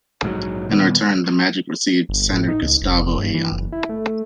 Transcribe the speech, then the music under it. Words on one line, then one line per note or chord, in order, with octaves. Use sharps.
In return the Magic received center Gustavo Ayon.
A#1 G#2 F3 F#3
A#2 D#3 G3 B3
G1
A2
D#4
C#2
F1
G2
E3
F#1
E4
A3